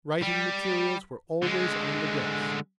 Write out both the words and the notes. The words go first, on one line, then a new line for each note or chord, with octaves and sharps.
Writing materials were always on the desk.
G3
D3 G#3